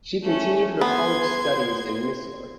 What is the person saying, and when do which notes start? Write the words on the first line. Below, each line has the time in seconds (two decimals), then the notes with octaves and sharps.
She continued her college studies in Mysore.
0.24 A3 C#4 G#4 A4 B4
0.81 B3 C6 G#6